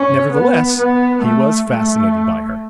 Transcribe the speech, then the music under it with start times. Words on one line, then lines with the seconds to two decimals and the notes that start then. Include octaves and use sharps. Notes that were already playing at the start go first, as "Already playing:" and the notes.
Nevertheless, he was fascinated by her.
Already playing: C#4
0.33 B3
0.78 B3
1.23 A3
1.69 A3